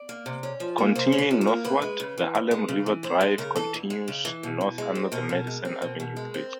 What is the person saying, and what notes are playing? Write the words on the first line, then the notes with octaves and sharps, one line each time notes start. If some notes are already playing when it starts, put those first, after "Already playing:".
Continuing northward, the Harlem River Drive continues north under the Madison Avenue Bridge.
Already playing: D5
A#3
C3
C#4
F3
A#3
C3 C5
C#4
B4
F3
A#4
A#3
D2 B4
G#3
C#3
E3
D2
G#3
C#3
E3
D2 C5
G#3
C#3 A#4
E3 A4
D2
G#3
C#3
E3
B2
B2
G#3
C4
B2 A#4
B2
G#3
C4
B2
B2
G#3
C4